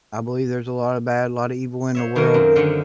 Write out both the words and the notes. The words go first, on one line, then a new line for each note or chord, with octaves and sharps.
I believe there's a lotta bad, a lotta evil in the world
C5 C#5 E5
B2 D#3 F#3 A3 A#3
F#2 C4
D3 D#3 C4 C#4 F#5 C6